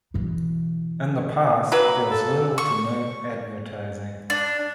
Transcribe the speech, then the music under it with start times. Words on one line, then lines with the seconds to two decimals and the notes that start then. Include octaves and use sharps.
In the past, there was little to no advertising.
0.14 B2 E3
1.72 F#3 A#3 B4
2.11 A4
2.58 C#6
4.30 D4